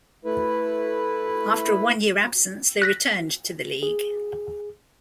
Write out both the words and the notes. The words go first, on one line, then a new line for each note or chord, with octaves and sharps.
After a one-year absence, they returned to the league.
A3 E4 B4
F#6 A#6 B6
G#4